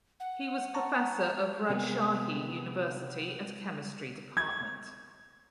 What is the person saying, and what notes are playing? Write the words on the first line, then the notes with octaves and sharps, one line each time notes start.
He was professor of Rajshahi University at Chemistry department.
F#5
A5 A#5 C#6
C3 A#3 B3 G#4
G#6